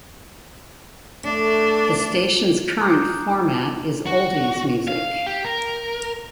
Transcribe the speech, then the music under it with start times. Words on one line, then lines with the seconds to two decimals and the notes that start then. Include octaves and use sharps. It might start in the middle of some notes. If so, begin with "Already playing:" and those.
The station's current format is oldies music.
1.25 A3 D4
2.81 A#5 C6 D6 D#6 F#6 G6
4.06 F#4
4.88 F5
5.26 G4
5.45 A#4